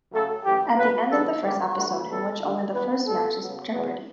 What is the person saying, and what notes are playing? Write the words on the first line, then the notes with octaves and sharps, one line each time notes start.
At the end of the first episode, in which only the first match's Jeopardy!
C#3 F#3 A3 A4
F#2 E3 A3 G4
B2 F#3 A3 B4
E2 C#3 G3 B3 A4
F#2 D3 G3 B3 G4
G2 E3 A3 F#4
A2 E3 G3 B3 A4
G2 D3 A3
G2 E3 B3 B4
A2 G3 B3 A4
C#3 F#3 B3
E2 B2 F#3 B3